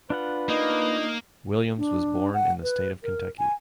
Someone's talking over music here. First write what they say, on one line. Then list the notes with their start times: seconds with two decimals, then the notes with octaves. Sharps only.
Williams was born in the state of Kentucky.
0.10 D4 F4 B4 F#5
0.49 A#3 D#4
1.78 D4
2.34 F#5
2.63 B4
3.03 A#4
3.39 G#5